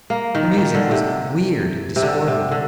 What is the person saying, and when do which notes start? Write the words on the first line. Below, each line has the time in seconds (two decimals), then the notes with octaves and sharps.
The music was weird and discordant.
0.10 A#3
0.35 D#3
0.58 D#3
0.74 D3
0.91 C3
1.96 C3
2.03 D3
2.28 C3
2.51 D3